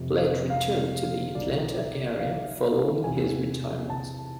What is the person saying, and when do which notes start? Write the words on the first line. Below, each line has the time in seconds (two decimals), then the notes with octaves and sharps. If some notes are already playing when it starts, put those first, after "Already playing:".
Plett returned to the Atlanta area following his retirement.
Already playing: F1 F2 C3
0.50 F5
1.34 B1 B2 D5
1.77 E5
2.20 F5
3.04 E2 C3 E3 G#5
3.90 A5